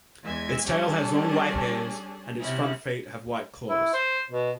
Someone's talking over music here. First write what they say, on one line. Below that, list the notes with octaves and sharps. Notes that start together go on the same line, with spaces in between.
Its tail has long white hairs, and its front feet have white claws.
E2 G#3 E5 G#5 G#6
G3 C#4 D4 G#4 A4
C3 B3 C#4 E4
E4
C5
B2